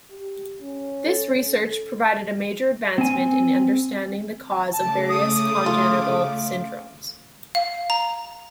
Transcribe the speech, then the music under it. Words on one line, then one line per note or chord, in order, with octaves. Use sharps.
This research provided a major advancement in understanding the cause of various congenital syndromes.
G4
C#4
A4
C4 G#5
C#3 A3 A5 D6
D#6
F4
F5
A#5